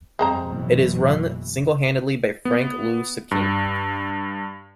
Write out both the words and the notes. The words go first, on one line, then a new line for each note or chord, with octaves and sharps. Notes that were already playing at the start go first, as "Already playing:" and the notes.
It is run single-handedly by Frank Lu Siqing.
F2 G3 G#3 C4 A#5
F#1 B2 E3
B3
G2